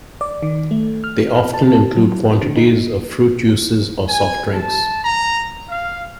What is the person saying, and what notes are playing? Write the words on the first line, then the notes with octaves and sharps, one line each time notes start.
They often include quantities of fruit juices or soft drinks.
D5
D#3
A3
F6
A5
F#3
D3
D#4
G#5
A5
A#5
F5